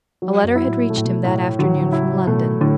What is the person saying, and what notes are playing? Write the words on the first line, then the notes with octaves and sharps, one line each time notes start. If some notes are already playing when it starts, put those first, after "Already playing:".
A letter had reached him that afternoon from London.
F#3
F#2
E4
A2
B2 A3
A2
B2
A2
D3 F#3
E3
D3
C#3 E4
B2 A3
A2 D3